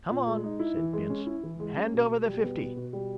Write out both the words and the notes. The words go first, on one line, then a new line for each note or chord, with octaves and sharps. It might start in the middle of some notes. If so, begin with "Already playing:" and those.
"Come on," said Bince, "hand over the fifty."
A#2
G#3
D#4
E4
E3
G#3
C#4
E4
E3
G#3
C#4
B2
B2
G3
B3
B2
B2
G3